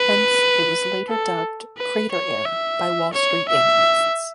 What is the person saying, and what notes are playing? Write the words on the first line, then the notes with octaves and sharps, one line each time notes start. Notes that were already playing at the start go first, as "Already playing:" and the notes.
Hence, it was later dubbed "CraterAir", by Wall Street analysts.
Already playing: B4
A4
B4
C#5
E5
C#5
E5